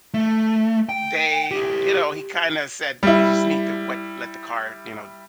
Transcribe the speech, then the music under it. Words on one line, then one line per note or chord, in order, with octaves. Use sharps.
They you know, he kinda said, they just need to what let the car, you know,
A3
G5
E4 G4
G3 E4